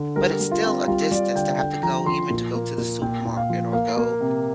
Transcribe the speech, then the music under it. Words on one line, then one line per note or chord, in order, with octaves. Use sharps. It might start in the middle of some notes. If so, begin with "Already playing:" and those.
but it's still a distance to have to go even to go to the supermarket or go
Already playing: D3
G3 A#4
G3
F4
C4
G3 F4
G3 D5
D3 G5
D3 G5
F3 A#5
F3 C6
A#2
A#3
A#2
A#2 G5
A#2
F5
F3
A#3 F5
A#3
C3